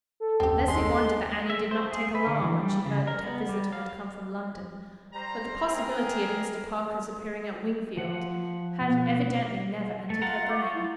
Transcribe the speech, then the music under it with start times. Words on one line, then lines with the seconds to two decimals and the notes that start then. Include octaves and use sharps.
Leslie wondered that Annie did not take alarm when she heard that her visitor had come from London; but the possibility of Mr. Parker's appearing at Wingfield had evidently never entered her brain.
0.20 A4
0.40 F#1 D#2 C4 C#4 G4
0.68 G#3 G#4 C6
1.50 E5
1.71 C5
1.92 G#4
2.15 B4
2.27 D3
2.42 E3
2.61 G3
2.85 C#3
3.07 A#4
3.24 B3
3.49 G3
3.73 F5
5.13 G3 C5 A#5
5.64 G4 G#4 A#4
7.97 F3 F#5
8.81 B2
10.10 A3 A6
10.22 F4 F#5 A#5
10.49 D6
10.61 C#6
10.74 E4